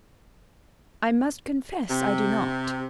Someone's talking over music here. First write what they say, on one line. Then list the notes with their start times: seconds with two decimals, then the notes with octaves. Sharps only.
"I must confess I do not."
1.89 C3